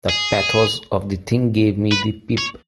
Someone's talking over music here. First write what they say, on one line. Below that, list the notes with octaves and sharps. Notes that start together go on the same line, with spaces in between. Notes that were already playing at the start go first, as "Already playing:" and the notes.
The pathos of the thing gave me the pip.
G#4
B4
C#5